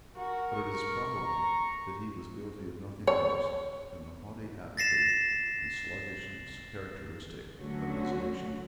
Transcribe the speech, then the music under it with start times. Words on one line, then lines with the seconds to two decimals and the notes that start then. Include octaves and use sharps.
But it is probable that he was guilty of nothing worse than the haughty apathy and sluggishness characteristic of his nation.
0.16 F#4 A#4
0.53 C#6
1.23 A#5
3.07 C#5
4.77 A6 A#6 C7 E7
7.59 D3 F#3 A3 C#4 F#4